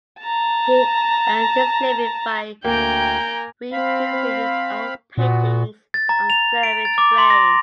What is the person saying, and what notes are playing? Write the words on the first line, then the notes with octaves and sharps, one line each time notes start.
He earned his living by reproducing his own paintings on serving trays.
A5 A#5
D2 A#3 G5 G#5 A#5 G6 D7
C4 F5 B5
A#2 B3 F#4
A6
A#5
F7
D7
A6
D6
C6
A#6